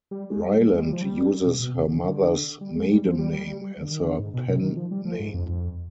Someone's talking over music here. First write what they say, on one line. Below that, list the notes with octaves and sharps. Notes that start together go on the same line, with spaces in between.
Rylant uses her mother's maiden name as her pen name.
G3
G#3
G3
G3
G#3
G3
F3
G3
B2
B2
C3
D3
D3
G3
G#3
G3
F3
G3
G3
G3
G3
D3
D#3
D3
G#2
B2
C3
D#3
F3
G3
F3
G#2
F2
F2